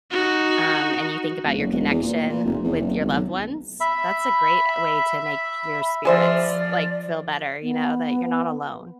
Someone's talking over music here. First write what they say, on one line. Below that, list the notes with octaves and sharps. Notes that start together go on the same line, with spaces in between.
um, and you think about your connection with your loved ones. That's a great way to make your spirits, like, feel better, you know, that you're not alone.
D#4 F#4
E1
F#1
E1
E2
A#2
A#2
F1
E2
F#1
G#1
B1
E5 B5
F3 G#4 C5 D5 E5
B3